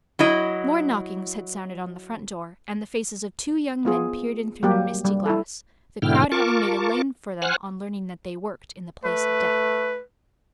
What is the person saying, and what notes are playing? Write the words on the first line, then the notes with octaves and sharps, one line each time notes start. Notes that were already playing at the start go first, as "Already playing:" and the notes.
More knockings had sounded on the front door, and the faces of two young men peered in through the misty glass, the crowd having made a lane for them on learning that they worked in the place of death.
F#3 E4 D#5
B3 F4 G#4
F#3 G3 A#3 G4
G3
E4 A4
G#2 B2 D3 E4 G5 F6
F4 A#4 A5 C#6 D6
C5 F#5 G#5 F6 F#6
A3 B4